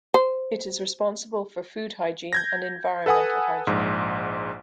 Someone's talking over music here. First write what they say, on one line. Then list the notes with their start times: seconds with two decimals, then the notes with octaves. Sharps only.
It is responsible for food hygiene and environmental hygiene.
0.14 C5
2.33 G6 G#6 A#6
3.06 A4 B4 F#5 G#5 D#6
3.67 A#1 G#2